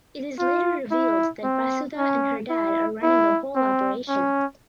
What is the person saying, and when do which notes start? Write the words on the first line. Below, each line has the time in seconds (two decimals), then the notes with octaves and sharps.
It is later revealed that Vasudha and her dad are running the whole operation.
0.38 F4
0.91 E4
1.43 C4
1.97 C#4
2.50 E4
3.02 E4
3.55 C4
4.08 C#4